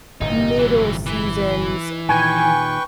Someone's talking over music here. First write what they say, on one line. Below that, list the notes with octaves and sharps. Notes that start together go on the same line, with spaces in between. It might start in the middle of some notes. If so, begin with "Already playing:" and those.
middle seasons
G1 A2 C3 D#4
E3 F#3
E3
A#2 D#3 B4 G5 G#5 C#6